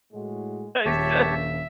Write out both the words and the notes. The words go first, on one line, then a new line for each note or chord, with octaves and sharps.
I said,
A2 G#3 F#4
D#1 A#1 A#3 C#4 G4 C#5 E5 A5